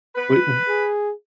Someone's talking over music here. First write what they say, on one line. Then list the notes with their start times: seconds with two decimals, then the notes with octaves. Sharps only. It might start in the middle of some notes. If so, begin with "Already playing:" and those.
Wa u
0.15 B4
0.68 G#4